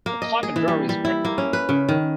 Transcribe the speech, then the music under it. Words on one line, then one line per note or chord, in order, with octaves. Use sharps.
The climate varies greatly.
A#3
D#5
G#4
E3
G3
G3
E4
A#3
C#4
B4
C#3
D#3